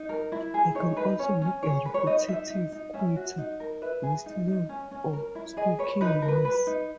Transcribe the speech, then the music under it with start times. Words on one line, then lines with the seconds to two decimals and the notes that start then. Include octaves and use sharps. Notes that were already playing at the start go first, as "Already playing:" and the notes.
They can also make a repetitive quieter whistling or squeaking noise.
Already playing: D#4
0.09 A#4
0.32 E4
0.54 G#4
0.75 D#4 C#5
0.97 D#4 B4
1.19 C#4 C#5
1.42 C#4
1.63 G#4 C#5
1.85 B4
1.94 C#5
2.07 D#4 D#5
2.28 D#4 E5
2.50 D#4
2.72 D#4
2.94 C#4 E5
3.16 F#4
3.38 D#4
3.60 A#4
3.82 B4 E5
4.03 G#4
4.26 D#4
4.48 D#4
4.69 C#4
4.91 C#4
5.13 A#4
5.35 E4
5.57 G#4 D#5
5.79 B4 C#5
6.01 D#4 B4
6.22 A#4
6.28 B4
6.45 B4
6.67 D#4